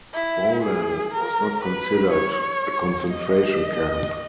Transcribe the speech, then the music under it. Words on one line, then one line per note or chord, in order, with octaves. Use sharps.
Vollan was not considered a concentration camp.
E4
G#4
A#4
B4
C#5
D#5